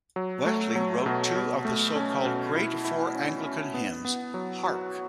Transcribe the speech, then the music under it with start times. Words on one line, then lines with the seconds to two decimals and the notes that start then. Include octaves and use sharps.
Wesley wrote two of the so-called Great Four Anglican Hymns: Hark!
0.16 F#3
0.46 A3
0.76 F#3
1.06 B2
1.36 B2
1.65 A3
1.96 C#4
2.25 B2
2.55 E4
2.85 E4
3.15 C#4
3.45 C#4
3.74 B3
4.05 B3
4.34 F#3
4.64 F#4